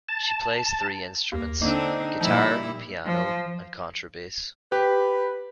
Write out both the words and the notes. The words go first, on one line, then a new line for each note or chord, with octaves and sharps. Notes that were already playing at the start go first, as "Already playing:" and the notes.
She plays three instruments; guitar, piano and contrabass.
A5
D#2 A#3
D3 A#3 C4 D4 D#4
A#2 F3 G3 E4
F3
G4 B4